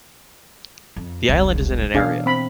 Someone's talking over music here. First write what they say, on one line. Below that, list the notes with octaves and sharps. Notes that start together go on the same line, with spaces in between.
The island is in area.
F2
E1 C2
B2 E3 D4 G#4 F5
C4 B5